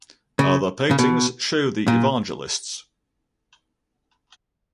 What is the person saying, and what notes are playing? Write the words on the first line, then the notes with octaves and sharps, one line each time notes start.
Other paintings show the Evangelists.
C#3
C#3
B2
A#2